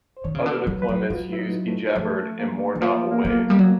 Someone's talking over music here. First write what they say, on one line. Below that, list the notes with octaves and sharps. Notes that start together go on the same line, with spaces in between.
Other deployments use ejabberd in more novel ways.
C5
D#3 C#5
C#3
D3
B4
F#3
B4
F#3
F#4
F#3 F4
E4
D#4
A3
F3 A3
A#3
E3
F3 A#3
A#3
B3
F#3 A#3
A3
G3
F#3